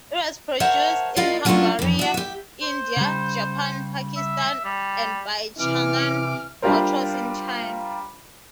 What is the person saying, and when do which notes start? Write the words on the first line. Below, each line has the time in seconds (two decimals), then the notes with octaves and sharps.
It was produced in Hungary, India, Japan, Pakistan and by Chang'an Motors in China.
0.60 A#4 C5 C#5 E5 F#5 A5
1.16 E4 F4 A#4 D5 D#5 F5
1.45 F#3 A3 B3 C#4 D4 F4
1.79 F2 E3
1.99 F#4 E5
2.14 G4 E5
2.62 C5
2.97 C#3 G3
4.17 E5
4.65 G3
5.60 C3 E3 D6 F6
6.62 G3 D4 F4 G4 A#4 C5